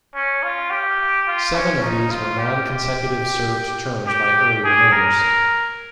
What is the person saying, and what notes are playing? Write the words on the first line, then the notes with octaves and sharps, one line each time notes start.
Seven of these were nonconsecutive served terms by earlier mayors.
C#4
F4
G4
F4
C#4
D#4
F4
G4
G4
G#4
A#4